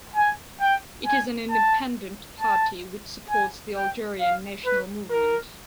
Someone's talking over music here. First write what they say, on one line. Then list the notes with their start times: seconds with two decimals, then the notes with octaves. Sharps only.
It is an independent party which supports the Algerian national movement.
0.16 G#5
0.61 G5
1.06 G#5
1.51 A5
2.40 A5
3.30 G#5
3.75 G5
4.20 F5
4.65 B4
5.10 A#4